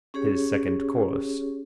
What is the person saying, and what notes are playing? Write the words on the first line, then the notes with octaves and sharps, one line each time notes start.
His second course.
C#4 G4 G#4 C#5